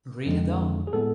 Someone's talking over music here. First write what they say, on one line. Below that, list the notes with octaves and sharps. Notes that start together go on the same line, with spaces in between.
Ring a dong!
F2 D3 F3 G#3 C4
G#4
A2 G#3 B3 A4